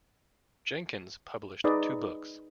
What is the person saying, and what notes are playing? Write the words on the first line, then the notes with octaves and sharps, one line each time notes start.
Jenkings published two books.
D#4 G#4 B4 D5 D#5